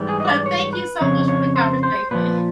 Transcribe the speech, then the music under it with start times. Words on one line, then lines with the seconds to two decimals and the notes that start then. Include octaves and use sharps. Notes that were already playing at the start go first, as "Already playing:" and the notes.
Well, thank you so much for the conversation.
Already playing: G#2 E3 G3
0.09 G#4
0.20 D#5
0.27 D5
0.46 C#5
0.73 B4
1.01 F2 C#3 C#5
1.28 C#5
1.56 C5
1.83 C5
2.11 A#2 F3 B4